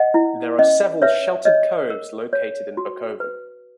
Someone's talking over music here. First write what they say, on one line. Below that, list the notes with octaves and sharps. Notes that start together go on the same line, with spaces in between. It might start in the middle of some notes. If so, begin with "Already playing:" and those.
There are several sheltered coves located in Bakoven.
Already playing: D#5 F#5
E4
C#4 D#5
B4 C#5 E5
C#5 D#5
A#4
C#5
F#4
B4